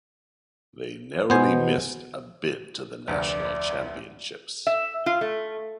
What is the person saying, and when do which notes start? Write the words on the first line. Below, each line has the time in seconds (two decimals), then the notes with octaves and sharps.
They narrowly missed a bid to the national championships.
1.30 B2 B3 C5 G#5
3.08 F1 D2 D5
4.67 E5
5.06 F4
5.21 A3